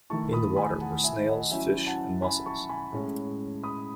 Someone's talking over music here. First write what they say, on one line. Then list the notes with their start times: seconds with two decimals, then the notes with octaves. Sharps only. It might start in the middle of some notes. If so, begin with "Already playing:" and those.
In the water were snails, fish and mussels.
0.10 D#3 A3 E4 A5 C#6
0.33 B5 D#6
0.56 G#5 B5
0.80 F#5 A5
1.04 E5 G#5
1.28 D#5 F#5
1.51 F#3 C#4 E4 E5 G#5
1.87 F#5 A5
2.22 G#5 B5
2.46 A5 C#6
2.69 G#5 B5
2.92 A2 G#3 C#4
3.63 B5 D#6